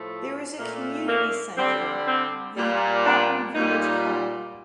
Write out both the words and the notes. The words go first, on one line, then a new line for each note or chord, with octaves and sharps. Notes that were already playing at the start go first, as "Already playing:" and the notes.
There is a community centre, the Aughton Village Hall.
Already playing: A2 F3 A3
A#2 A3 A#3
A#3
D3 G3 C4
C4
A#2 G3
D4
A#2 G3 D#4